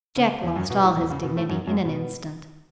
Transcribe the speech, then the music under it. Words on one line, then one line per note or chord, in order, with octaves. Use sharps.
Jack lost all his dignity in an instant.
C#3
E2 E3
F#2 F#3
B2 B3
A2 A3
E2 E3
C#3
B2 B3
A2 A3
F#2 F#3
F#2 F#3
B2 B3